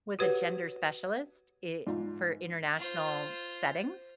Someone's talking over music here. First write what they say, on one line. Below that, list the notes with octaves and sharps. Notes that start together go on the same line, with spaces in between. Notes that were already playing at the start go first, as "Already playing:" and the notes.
was a gender specialist i for international settings.
F#4 G4 B4 C#5 F#5
G#2 D#4 F4 D5
F4 C5